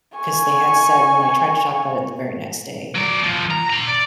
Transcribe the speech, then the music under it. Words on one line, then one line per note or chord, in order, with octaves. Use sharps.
'cause they had said- when I tried to talk about it the very next day-
G#5 C#6
F#3 D5
D#2 F3
A#5
C5 A#5
D5